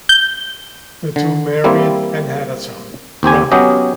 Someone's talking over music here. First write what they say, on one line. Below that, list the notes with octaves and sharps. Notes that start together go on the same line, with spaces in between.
The two married and had a son, Ronnie.
G6
D3
G3 A#3 C4 E4
D#2 C4 G4 G#5
F#3 B3 C#4 G4 D#5